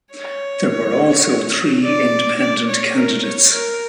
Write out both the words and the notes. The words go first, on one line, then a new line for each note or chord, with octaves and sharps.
There were also three independent candidates.
C#5
D5
D5
C#5
A#4
C#5
A#4